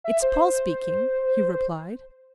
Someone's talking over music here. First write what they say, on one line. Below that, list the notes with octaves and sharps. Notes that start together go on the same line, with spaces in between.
"It's Paul speaking," he replied.
E5
C5